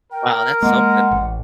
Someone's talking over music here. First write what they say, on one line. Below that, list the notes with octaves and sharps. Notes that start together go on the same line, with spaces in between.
Wow, that's something.
A#4 G5
G#3 A#3 F#5
A1